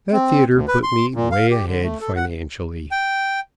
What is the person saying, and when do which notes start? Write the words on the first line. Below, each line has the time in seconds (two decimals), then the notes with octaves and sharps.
That theatre put me way ahead financially.
0.13 C4
0.54 D2
0.68 B4
0.83 C6
1.14 A#2
1.32 F5
1.51 G4
1.66 D3
1.83 A3
2.01 A4
2.16 F#5
2.91 G5